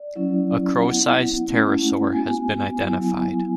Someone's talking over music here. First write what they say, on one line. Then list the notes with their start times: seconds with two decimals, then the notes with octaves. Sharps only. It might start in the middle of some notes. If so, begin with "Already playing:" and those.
A crow-sized pterosaur has been identified.
Already playing: D5
0.15 F#3 C#4 E4
0.82 B3 E4 F#5
1.47 A3 C#4 E4
2.13 B3 F#4 G#5
2.80 F#3 B3 E4